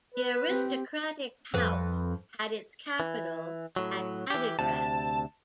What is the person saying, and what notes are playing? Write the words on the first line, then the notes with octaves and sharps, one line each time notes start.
The aristocratic house had its capital at Adigrat.
B4
C4 G4
F2 B4
E3
A2 F#3
E3 G4
D2 C3 A5